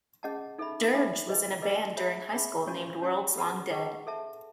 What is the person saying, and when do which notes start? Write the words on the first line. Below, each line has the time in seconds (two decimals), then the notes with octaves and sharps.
Dirge was in a band during high school named Worlds Long Dead.
0.23 C#4 G#4 D#5 F#5 A5
0.58 D#4 A4 E5 B5
0.92 D#4 A4 E5 B5
1.27 G#4 B4 D#5 G#5
1.62 G#4 B4 D#5 G#5
1.97 G#4 C#5 E5 B5
2.32 G#4 C#5 E5 B5
2.66 C#4 F#4 C#5 G#5 C#6
3.02 C#4 F#4 C#5 G#5 C#6
3.37 G#4 B4 F#5 A5 C#6
3.71 G#4 B4 F#5 A5 C#6
4.07 A4 E5 A5